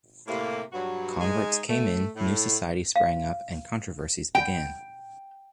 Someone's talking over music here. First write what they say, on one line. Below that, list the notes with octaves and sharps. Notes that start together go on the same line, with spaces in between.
Converts came in, new societies sprang up, and controversies began.
A2 C3 A#3
G2 F#3 F#4
G#3 D#4 G#5
A3
A2
F5
G5